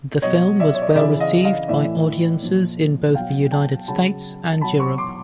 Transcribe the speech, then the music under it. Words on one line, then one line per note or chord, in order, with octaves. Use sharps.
The film was well received by audiences in both the United States and Europe.
B2 F#3 C#5 D#5
D5 E5
C#5
D5
D#5
C#3 E3 D5 E5
D#5 F5
D#5 F5
A2 E3 D5 E5
A#2 F3
B2 F#3 F5 G5
G5 A5
C#3 F#3 A5 B5
B2 F#3 A5 B5
B5 C#6
C6 D6